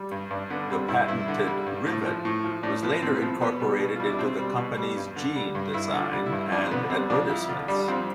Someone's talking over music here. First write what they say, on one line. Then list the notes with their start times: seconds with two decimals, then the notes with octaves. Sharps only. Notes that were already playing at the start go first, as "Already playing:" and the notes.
The patented rivet was later incorporated into the company's jean design and advertisements.
Already playing: G3
0.11 G2
0.31 G2 D4
0.50 D3 B3
0.70 G3 C4
0.88 G2 E4
1.08 G2 E4
1.28 D3
1.48 G3
1.66 G2
1.87 A2
2.05 F3
2.25 A2
2.44 F3
2.63 A2 D4
2.83 F3 B3
3.02 A2 C4
3.15 B3
3.22 F3 C4
3.41 B2 B3
3.60 G3
3.80 B2
3.96 F4
4.00 G3 E4
4.11 D4
4.19 B2 C4
4.38 G3
4.58 B2
4.77 G3
4.97 G2
5.16 D3
5.36 G3
5.55 G2
5.74 G2 E4
5.93 D3
6.00 F4
6.13 G3
6.26 E4
6.32 G2
6.52 F2 D4
6.62 C4
6.71 D3 B3
6.90 G3 C4
7.10 F2 D4
7.29 F2 E4
7.48 D3 F4
7.68 G3 D4
7.88 F2 C4